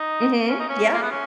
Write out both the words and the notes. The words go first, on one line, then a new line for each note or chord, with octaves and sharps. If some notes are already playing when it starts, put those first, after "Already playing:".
Mhm. Yup,
Already playing: D#4
C#4
D#4
C#4
A#3
B3
C#4